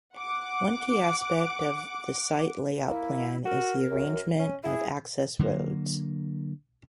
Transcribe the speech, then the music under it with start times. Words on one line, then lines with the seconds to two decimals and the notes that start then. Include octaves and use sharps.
One key aspect of the site layout plan is the arrangement of access roads.
0.17 F#5 D6
2.88 A#3 E4
3.45 F#4 A#4
3.91 F#2
4.39 C#4
4.64 E4 G#4
5.39 D3 F#3 G#3 A#3